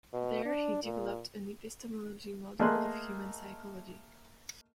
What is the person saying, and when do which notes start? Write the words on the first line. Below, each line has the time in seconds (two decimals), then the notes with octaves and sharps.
There he developed an epistemology model of human psychology.
0.14 B2
0.45 D4
0.84 A#2
2.60 A3 A#3 G#4 D#5 C6 F#6